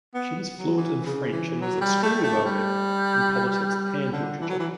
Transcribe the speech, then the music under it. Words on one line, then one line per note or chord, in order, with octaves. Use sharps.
She was fluent in French and was "extremely well read" in politics and literature.
B3
F#3
E3
C#3
E3
F#3
G3
A3
A3
G3
D3
E3
F#3
E3